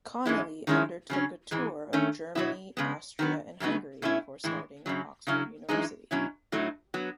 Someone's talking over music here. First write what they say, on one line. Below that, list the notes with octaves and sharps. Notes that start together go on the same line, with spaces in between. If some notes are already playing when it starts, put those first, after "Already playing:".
Connolly undertook a tour of Germany, Austria and Hungary before starting at Oxford University.
G#2 E3 G#3 C#4 E4
D#3 G#3 C#4 E4
C#3 F#3 C#4
G#2 E3 G#3
D#3 A3 C#4
B2 F#3 B3 E4
C#3 G#3 B3
D#3 F#3 B3
F#2 C#3 F#3 B3 D#4
B2 A3 C#4 E4
A2 E3 G#3
F#2 C#3 F#3
C#3 F#3 C#4 E4
F#2 E3 G#3 D#4
B2 F#3 C#4 E4
A2 F#3 A3 D#4
F#3 B3